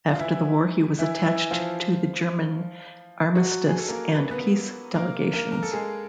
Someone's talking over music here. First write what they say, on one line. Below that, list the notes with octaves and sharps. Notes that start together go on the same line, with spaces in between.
After the war he was attached to the German Armistice and Peace delegations.
F4
E3 E4
E3 E4
E3 E4
F3 F4
F#3 F#4
G#4
A4
A#3 A#4
B4
B3 B4
A#3 A#4
A#3 A#4
A#4
A4
G#3 G#4